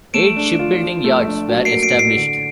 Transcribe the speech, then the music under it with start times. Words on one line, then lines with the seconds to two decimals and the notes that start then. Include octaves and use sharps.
Eight shipbuilding yards were established.
0.14 A3 D7 E7
0.37 D4
0.59 F4
0.82 F3
1.04 A3
1.27 D4
1.49 F#3
1.65 C7 D7
1.72 A#3
1.83 C7 D7
1.95 A2 C7 D7
2.17 D3